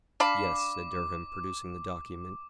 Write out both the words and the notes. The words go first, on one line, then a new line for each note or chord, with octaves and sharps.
"Yes," said Durham, producing the document.
D4 F5 B5 D6